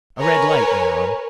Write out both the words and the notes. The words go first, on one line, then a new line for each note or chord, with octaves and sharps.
A red light went on.
A#4 B4 C#5 G#5